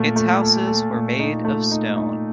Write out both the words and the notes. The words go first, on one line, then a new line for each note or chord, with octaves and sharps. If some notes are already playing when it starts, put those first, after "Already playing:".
Its houses were made of stone.
Already playing: A#2 A3
A3
A4
A4
A#2
D#4
A3
D#4
D#4